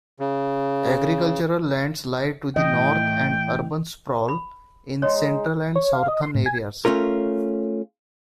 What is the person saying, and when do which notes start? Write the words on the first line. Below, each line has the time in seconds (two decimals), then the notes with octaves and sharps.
Agricultural lands lie to the north and urban sprawl in central and southern areas.
0.20 C#3
2.56 A2 E3 D#5 G5
4.29 B5
5.02 G#3 D#4 C#5
5.76 C#5
5.93 F5
6.08 D#5
6.23 C6
6.35 A2
6.46 G#5
6.85 A3 C#4 F4 A#4